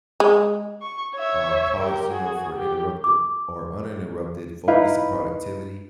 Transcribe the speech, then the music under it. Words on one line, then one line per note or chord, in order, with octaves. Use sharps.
um, pause, you know, for interrupte or uninterrupted focus and productivity
G#3
C#6
C#5 E5
G4 A#4
F#4 G#4
G4
D6
D#4 E4 B4 F5